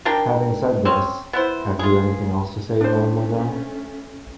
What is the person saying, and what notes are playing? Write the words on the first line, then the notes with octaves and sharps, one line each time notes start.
Having said this, have you anything else to say, mademoiselle?
D#3 D4 A#4 G5
C4 C#4
B3 E4 C5
F4 G#4
A3 C#4 D4 C5